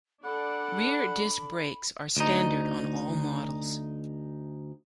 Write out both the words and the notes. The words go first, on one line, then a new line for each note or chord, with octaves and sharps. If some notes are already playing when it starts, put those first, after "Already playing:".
Rear disc brakes are standard on all models.
D4 A4 D5 F#5 B5
D2 D#4